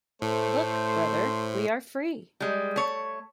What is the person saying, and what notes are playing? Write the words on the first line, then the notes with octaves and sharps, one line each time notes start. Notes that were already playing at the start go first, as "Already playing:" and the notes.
Look, brother, we are free!
A2 A3 C5
G3 G#3
A3 C#5